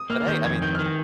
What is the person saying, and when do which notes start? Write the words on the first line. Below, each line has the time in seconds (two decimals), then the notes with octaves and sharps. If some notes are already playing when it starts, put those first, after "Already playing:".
but, hey, I mean,
Already playing: D#6
0.10 A#3 F6
0.21 F6
0.27 D#3 G6
0.44 F2 G#6
0.62 D#3 G6
0.75 D#3 F6